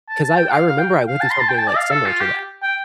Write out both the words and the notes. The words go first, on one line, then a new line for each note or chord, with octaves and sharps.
'cause I I remember I went through something, like, similar to that.
A5
A5
G5
F5
F5
G5
F5
A5
C6
A5
G5
A5
D5
F5
A4
F4
G4
G5